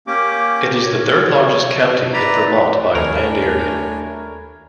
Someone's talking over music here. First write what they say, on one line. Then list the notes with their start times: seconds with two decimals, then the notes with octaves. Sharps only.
It is the third-largest county in Vermont by land area.
0.07 A#3 C#4 G4 D6
0.83 C#5
2.13 B4 D5 E5 A#5
2.95 D#2 A3 D4 A#4 C#5 G#5 B5 G#6